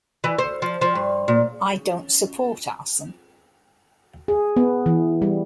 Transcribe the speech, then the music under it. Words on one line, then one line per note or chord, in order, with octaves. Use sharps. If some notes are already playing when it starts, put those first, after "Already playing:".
I don't support arson.
E3
C5
F3
F3
G2
A#2
G#4
B3
E3
G3